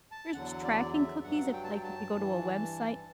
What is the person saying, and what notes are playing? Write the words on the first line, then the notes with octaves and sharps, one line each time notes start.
there's tracking cookies if, like, if you go to a website,
A5
E2 D3 F#3 F#5
D5
E5
G2 F#3 F#5
G5
A5
G5
A5
G2 E3